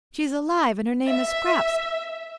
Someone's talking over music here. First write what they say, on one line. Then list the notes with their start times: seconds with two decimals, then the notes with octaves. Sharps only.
She's alive and her name is Scraps.
1.08 E5